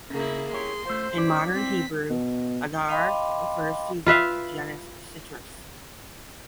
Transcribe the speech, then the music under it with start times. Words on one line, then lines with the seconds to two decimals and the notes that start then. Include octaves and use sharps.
In modern Hebrew, "hadar" refers to the genus "Citrus".
0.14 C#3 A#3 E4 G#4
0.53 E4 G4 C#5 C6
0.85 A3 F4 C5
1.15 E4 D5 B6
1.54 C4 B6
2.10 B2
2.88 D#5 F5 G5 B5 C6 D6
4.06 F4 B4 E5 F5